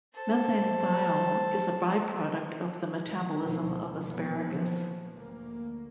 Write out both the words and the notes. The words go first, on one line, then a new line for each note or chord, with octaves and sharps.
Methanethiol is a byproduct of the metabolism of asparagus.
A4 C5
D2 B2 D3 F3
A#2 F3 F#3 B3
D2 A#3